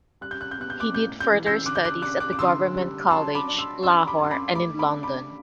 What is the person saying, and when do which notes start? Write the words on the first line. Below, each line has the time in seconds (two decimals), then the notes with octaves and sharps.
He did further studies at the Government College, Lahore and in London.
0.21 G3 F#6
0.31 G6
0.41 F#6
0.51 G6
0.59 B3 F#6
0.70 G6
0.80 D6 F#6
0.94 A2 G6
1.21 G6
1.30 E3
1.47 E6 G6
1.66 D3 D6 F#6
1.76 G6
1.85 D6 F#6
2.02 D4 D6 F#6
2.20 D6 F#6
2.33 D6
2.39 D3 C6 E6
2.75 G3
3.10 F#3 A5 C6
3.35 B5 D6
3.47 D4
3.59 C6 E6
3.82 D4 C6 E6
4.08 B5 D6
4.19 F#2
4.24 C6
4.31 B5 D6
4.55 A3 B5 D6
4.79 B5 D6
4.91 D4
5.03 B5 D6